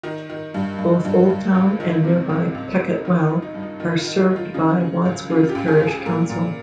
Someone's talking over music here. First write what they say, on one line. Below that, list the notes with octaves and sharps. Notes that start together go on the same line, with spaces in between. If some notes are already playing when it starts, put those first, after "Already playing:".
Both Old Town and nearby Pecket Well are served by Wadsworth Parish Council.
D#3 D#4
D#3
G2
G2
G2
G2
C#2
D#3
C3
C#2
C#2
C#2
D#4
D#3 F4
D#3
D#4
G2
D#4
D#3 F4
F4
D#3
F4
D#3
F4
C#3 D#4
C#3
C#2
C#3 F4
F4
G4
C#2
G#4
C#2
G#4
A#2 A#4
A#2